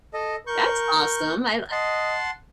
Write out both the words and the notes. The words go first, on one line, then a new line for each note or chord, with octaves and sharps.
That's awesome. I li
A4 D#5
A#4 C#6 G6
D#5 F#5 A5 C6